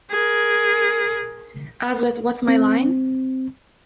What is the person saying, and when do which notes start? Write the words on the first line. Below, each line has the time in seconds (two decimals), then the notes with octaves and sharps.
As with What's My Line?
0.11 G#4 A#4
2.48 C4